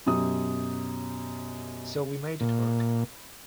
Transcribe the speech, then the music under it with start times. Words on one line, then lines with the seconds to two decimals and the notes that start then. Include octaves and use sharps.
So we made it work.
0.06 F#2 B2 G4 D#6
2.41 A#2